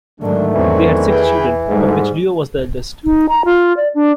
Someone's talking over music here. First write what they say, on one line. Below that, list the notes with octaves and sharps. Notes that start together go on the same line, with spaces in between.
They had six children, of which Leo was the eldest.
G#2 D3 D#3 F#3 A3 D4
E2 E3 F#3 C4 F#4
G#4 B4 G5
D2 G#2 G3 A3
D#4
A#5
F4
D5
D4